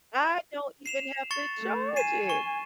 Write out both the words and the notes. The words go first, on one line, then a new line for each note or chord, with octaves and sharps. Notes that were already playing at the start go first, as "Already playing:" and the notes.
I don't even have to charge it!
C7 E7 F7
C#6 A6 C#7
A3
G#5 C7 D#7 E7
C#6